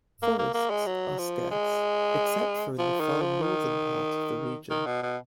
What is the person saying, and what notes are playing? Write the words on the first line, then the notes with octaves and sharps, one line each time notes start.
Forests are scarce except for in the far northern part of the region.
A#3
A#3
A#3
G#3
F#3
F3
G#3
F3
D#3
F3
D#3
D#3
B2
B2